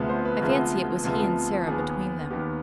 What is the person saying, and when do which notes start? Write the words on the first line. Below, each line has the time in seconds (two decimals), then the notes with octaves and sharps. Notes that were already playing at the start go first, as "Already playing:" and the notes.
I fancy it was he and Sarah between them.
Already playing: D2 C3 F3 G#3 B3
0.09 C5
0.25 B4
0.41 D2 C3 F3 G#3 B3
1.04 D2 C3 F3 G#3 B3
1.67 D#2 D#3 B3 G#4
2.31 D#2 D#3 B3 G4